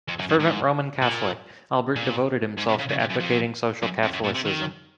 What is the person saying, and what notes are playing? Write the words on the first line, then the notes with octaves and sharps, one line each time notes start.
A fervent Roman Catholic, Albert devoted himself to advocating Social Catholicism.
F2
F#2
F#2
G#2
A#2
A#2
G#2
C3
C#3
C#3
C3
F#2
F2
F#2
F2
F#2
A#2
C3
D#3